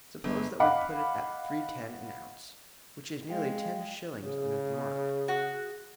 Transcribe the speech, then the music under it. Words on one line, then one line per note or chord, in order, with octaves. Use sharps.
Suppose that we put it at three ten an ounce, which is nearly ten shillings under the mark.
G1
D#5 F5 F#5 B5 D6
G#3 F5 G5
C#3 G#4
F#4